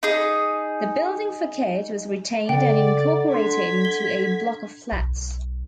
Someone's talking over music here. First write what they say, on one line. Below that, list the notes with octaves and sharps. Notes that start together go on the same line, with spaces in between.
The building facade was retained and incorporated into a block of flats.
D#4 G#4
C#3 A4 D5 F#5 G5
D4 C6 G#6 B6
G7
B1